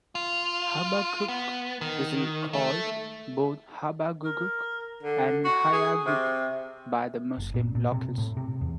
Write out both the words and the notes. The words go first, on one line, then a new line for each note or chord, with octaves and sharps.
Habakkuk is called both Habaghugh and Hayaghugh by the Muslim locals.
F4
B3
D#3
A3
A#4
D3
F#4
G#4
C3
F#1
A#2
A#2
C3
A2
C3
E2